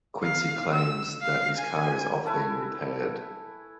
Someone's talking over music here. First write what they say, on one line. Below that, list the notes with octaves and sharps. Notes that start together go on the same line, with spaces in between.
Quincy claims that his car is off being repaired.
F5
E6
F5
G#5
A3 E4 B4 G#5